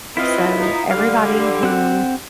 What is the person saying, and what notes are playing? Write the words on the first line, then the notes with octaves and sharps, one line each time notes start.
So, everybody who
C4 E4 F4 B4 D#5 F5
D#4
D3 G3 F5
C4 F#5 F#6